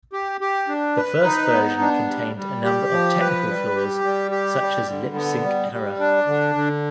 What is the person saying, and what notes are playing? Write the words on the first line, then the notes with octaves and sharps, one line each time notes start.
The first version contained a number of technical flaws such as lip-sync error.
G4
G4
D4
B4
D#4
B3
D4
G3
G3
G4
F3
B4
G3
G4
G3
G4
G3
D3
B3
G3
G3
D4
D3
D3